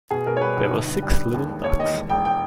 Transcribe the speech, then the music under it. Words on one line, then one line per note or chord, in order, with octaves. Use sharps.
There were six little ducks.
B2 G#4
B2 A#4
C#5
G3 B4
B1
G1
G2
G3
G2
D#2
E1
D#2 C#5
D#2 D#5
E1
E1 G5
G5